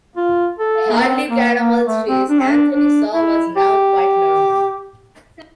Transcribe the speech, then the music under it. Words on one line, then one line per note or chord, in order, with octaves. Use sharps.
Harley Caramel's face, Anthony saw, was now quite normal.
F4
A4
A#3
C4
A#3
A#3
A3
C4
D4
C4
D4
D4
E4
G4